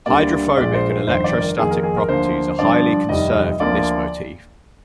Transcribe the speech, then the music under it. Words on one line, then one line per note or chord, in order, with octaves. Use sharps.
Hydrophobic and electrostatic properties are highly conserved in this motif.
D2 D3 G3 A#3 D5
A#1 A#2 G#3 D5
C5
C5
G1 F2 D#3 C5
D5
A#4
F2 D#3 A#3 G#4
A#4
G#4
A#4
D2 D3 F3 A#3 C5
G2 D3 F3 D5
F1 D#2 D#3 G3 D#5
D2 D3 F3 A#3 D5